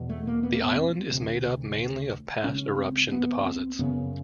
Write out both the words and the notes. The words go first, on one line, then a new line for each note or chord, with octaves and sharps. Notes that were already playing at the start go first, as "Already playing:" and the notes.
The island is made up mainly of past eruption deposits.
Already playing: E2 B2
A3
A#3
B3
A#3
B3
C4
D2 C3
C#2 C#3 C#4
C4
B3
B3
C4
F#2 C#3 B3